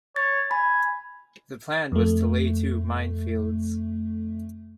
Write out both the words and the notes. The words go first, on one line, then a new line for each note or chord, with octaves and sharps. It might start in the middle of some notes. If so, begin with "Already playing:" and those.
The plan was to lay two minefields.
C#5 A6
G#5 B5
F2 A3